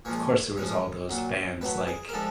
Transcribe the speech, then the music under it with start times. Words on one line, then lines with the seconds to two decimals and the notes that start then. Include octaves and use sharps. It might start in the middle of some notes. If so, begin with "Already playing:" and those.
of course, there was all those bands like
0.05 A#2 F3 G#3 C#5
0.57 C#3 F3 G#3 C#5
1.09 A#2 F#3
1.61 A2 F#3 B4
1.87 G#4
2.09 A#4
2.13 D3 F3 G#3 A4